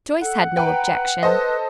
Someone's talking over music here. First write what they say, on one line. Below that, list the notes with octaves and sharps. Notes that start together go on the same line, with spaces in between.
Joyce had no objection.
A4 F#5
B4 G5 A#5
A4 B4 C5 D#5